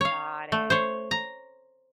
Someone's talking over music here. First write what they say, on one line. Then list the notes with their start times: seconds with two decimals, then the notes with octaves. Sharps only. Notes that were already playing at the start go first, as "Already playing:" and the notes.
Got it.
0.01 C#5 F5
0.52 A3
0.70 C5 C#5
1.11 A#5